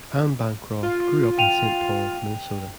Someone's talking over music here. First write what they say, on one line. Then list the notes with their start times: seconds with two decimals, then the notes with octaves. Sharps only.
Ann Bancroft grew up in Saint Paul, Minnesota.
0.83 F4
1.38 G5 D#7 F7